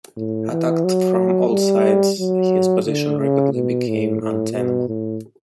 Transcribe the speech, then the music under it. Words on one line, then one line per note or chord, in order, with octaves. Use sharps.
Attacked from all sides, his position rapidly became untenable.
A2
E3
F#3
G3
F#3
D3
C#3
B2
A2
A2
B2
A2